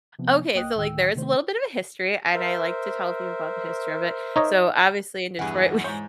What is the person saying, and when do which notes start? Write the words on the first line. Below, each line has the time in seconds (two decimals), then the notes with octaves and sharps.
Okay, so, like, there is a little bit of a history, and I like to tell people about the history of it. So, obviously, in Detroit, we
0.19 C3 F3 B3 C4
0.55 C2 A#3 D#5 G5 D#6 F#6
0.76 D2 A2 D#3 G5 E6
1.15 C3 D#3 A3 C5
2.34 A#4 C5 E5
4.36 D#4 C#5 D#5
5.39 E2 G2 E3 G#4 F#5
5.84 G#2 C#5 G6